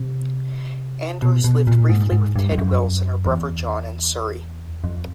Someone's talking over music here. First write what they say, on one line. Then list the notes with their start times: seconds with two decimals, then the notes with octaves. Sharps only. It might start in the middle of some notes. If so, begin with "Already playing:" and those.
Andrews lived briefly with Ted Wells and her brother John in Surrey.
Already playing: C3
1.22 B2
1.44 B2
1.67 A#2
1.89 G#2
2.12 G#2
2.36 G2
2.52 F2
2.58 F#2
3.26 E2
4.84 F2